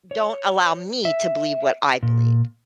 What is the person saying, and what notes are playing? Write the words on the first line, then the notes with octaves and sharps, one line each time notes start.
don't allow me to believe what I believe,
C#5
E5
A#2